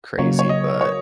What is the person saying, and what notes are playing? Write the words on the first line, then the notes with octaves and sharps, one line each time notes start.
crazy, but
C#3 F#3 A#3 C#5
C#5
D#5
C#5